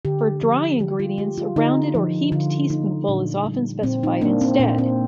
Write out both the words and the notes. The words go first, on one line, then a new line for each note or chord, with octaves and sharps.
For dry ingredients, a rounded or heaped teaspoonful is often specified instead.
D3 G4
F3
D3 G4
F4
A3 G4
F4
D3 D#4
F3
D3 F4
A3 D#4
A#2 D4
G3
A#2 C4
D#4
A#3 D4
C4
A#2 D4
C4